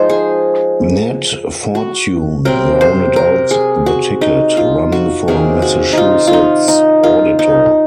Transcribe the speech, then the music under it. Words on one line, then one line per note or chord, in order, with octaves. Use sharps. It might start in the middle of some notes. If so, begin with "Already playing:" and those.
Nat Fortune rounded out the ticket, running for Massachusetts Auditor.
Already playing: F3 G#3 D#4 C5
G#4
F#4
C3 F#3 C4 A#4
C5
A#4
G#4
F#4
D#4
F4
F#4
C3 D#3 A#3 C#4 G#4
F#4
D#4 F4
F4
D#4
D#4
F4
D#4